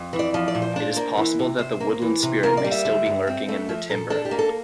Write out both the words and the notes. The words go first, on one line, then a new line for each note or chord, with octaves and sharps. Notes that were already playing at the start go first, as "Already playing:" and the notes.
It is possible that the woodland spirit may still be lurking in the timber.
Already playing: F2
E3
D5
F3
D5
A#2
C5
D4
A#3
E3
C3
C3 C5
A#3
E3
C3
A#3 A#4
D5
G3
E5
D3
G2
C4
A3
F3 E5
A#2 A4
D4 A4
G4
A#3
A4